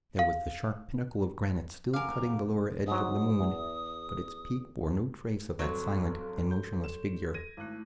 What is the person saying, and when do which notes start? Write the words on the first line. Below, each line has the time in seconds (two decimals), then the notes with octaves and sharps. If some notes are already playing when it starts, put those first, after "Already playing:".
There was the sharp pinnacle of granite still cutting the lower edge of the moon, but its peak bore no trace of that silent and motionless figure.
0.19 F5
1.93 F1 F#4 A#4 F5 G#5 D6
2.19 E2 C3 F#3
2.87 G#2 F#3 D#6
3.39 E2
5.59 G1 F#3 C4 A4 C6
6.51 G6
6.84 E7
7.34 G#6 A#6 D#7
7.57 G#1 A3 E4 F#6